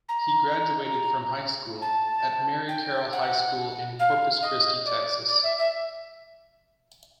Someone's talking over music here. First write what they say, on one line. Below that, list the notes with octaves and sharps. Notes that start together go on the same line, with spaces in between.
He graduated from high school at Mary Carroll High School in Corpus Christi, Texas.
A#5
A5
G5
F#5
F5
D#5
D5
D5
E5
E5